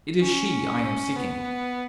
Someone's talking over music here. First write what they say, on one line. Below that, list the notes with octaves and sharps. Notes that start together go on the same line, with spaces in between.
It is she I am seeking.'
C#4
B3